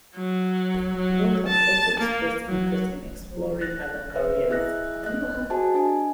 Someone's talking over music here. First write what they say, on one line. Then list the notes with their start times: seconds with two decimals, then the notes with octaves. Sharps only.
Both have also expressed interest in exploring other careers.
0.16 F#3
0.96 F#3
1.47 A5
2.00 A#3
2.48 F#3
3.61 F#6 A6 A#6
4.15 B4 C5 E5
4.50 E4 G#4 D#5 E5 F#6 A#6
5.03 D#5 F#6
5.50 F#4 G#4 C5 D#5 G#5 A5
5.74 D4 D#5 G#5